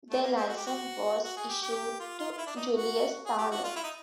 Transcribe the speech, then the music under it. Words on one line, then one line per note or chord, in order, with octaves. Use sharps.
The license was issued to Julius Thaller.
A3
A#3
C4
F#4
G4
F#4
F#4
G#4
G4
G4
F4
F4
F4
E4
D4
D#4
F#4
G#4
G4
F#4
F4
E4
D#4